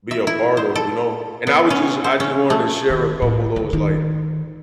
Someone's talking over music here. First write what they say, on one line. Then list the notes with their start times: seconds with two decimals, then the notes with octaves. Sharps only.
be a part of, you know? And I would just I just wanted to share a couple of those, like
0.11 E5
0.27 E4
0.57 C5
0.75 A4
1.47 B3
1.70 C#4
2.04 C5
2.20 C#4
2.50 A3
2.90 D#3
3.22 A2
3.56 D3
3.73 D#3